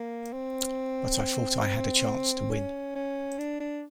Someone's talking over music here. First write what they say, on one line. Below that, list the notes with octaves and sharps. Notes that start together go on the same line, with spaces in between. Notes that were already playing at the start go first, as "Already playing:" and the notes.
But I thought I had a chance to win.
Already playing: A#3
C4
C#4
C#4
D4
D4